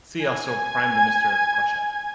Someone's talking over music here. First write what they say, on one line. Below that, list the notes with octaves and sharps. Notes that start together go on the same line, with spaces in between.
See also Prime Minister of Prussia.
G#5 G#6